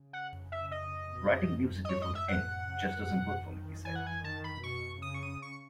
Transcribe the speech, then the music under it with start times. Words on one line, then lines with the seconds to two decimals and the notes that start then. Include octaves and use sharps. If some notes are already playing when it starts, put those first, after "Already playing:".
Writing music before the end just doesn't work for me, he said.
Already playing: C#3
0.13 F#5
0.52 E5
0.71 D#5
1.11 B2
1.50 F#2
1.85 D#5
1.89 G#2 C#5
2.02 D#5
2.15 E5
2.28 A2 F#5
2.67 C#3
3.07 B2
3.46 D#3
3.85 E3 G#5
3.96 F#5
4.07 G#5
4.24 D#3 A5
4.44 B5
4.63 B2 C#6
5.02 C#3 D#6
5.14 C#6
5.23 D#6
5.42 C#6